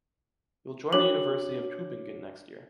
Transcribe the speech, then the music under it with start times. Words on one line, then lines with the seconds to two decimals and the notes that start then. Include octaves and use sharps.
He will join the university of Tübingen next year.
0.93 D4 F#4 C#5 D6 F#7